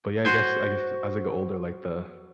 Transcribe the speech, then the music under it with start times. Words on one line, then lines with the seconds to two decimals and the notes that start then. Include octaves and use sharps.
But, yeah, I guess I guess as I get older, like, the
0.25 F#4 C5 G#5